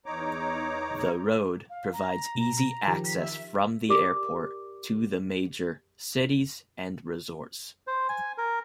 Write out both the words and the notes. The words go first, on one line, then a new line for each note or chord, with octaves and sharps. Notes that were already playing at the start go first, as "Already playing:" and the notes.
The road provides easy access from the airport to the major cities and resorts.
E2 D#4 C#5 A#5 D6
F5
A#5
B2
D#3 F3 G4
B6
E5
G4 A#4 D5 D6
C5
G#5
A#4